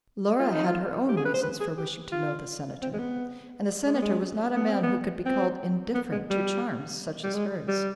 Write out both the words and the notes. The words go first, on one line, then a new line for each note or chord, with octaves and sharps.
Laura had her own reasons for wishing to know the Senator, and the Senator was not a man who could be called indifferent to charms such as hers.
F4
D#4
F4
G4
G#4
B4
C5
B4
G#4
G4
F4
C4
G#3
B3
G#3
B3
G#3
B3
C4
B3
C4
B3
G#3
G3
G3
G#3
G3